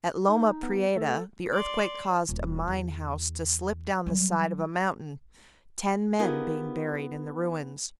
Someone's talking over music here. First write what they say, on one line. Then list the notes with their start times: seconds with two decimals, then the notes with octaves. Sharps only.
At Loma Prieta the earthquake caused a mine house to slip down the side of a mountain, ten men being buried in the ruins.
0.28 D#4
0.63 B3
0.96 A3 A4
1.53 D5 C6
2.29 D#1
2.68 E2
4.06 F#3 G3
6.19 B3 D#4 F4 G4 G#4 A#4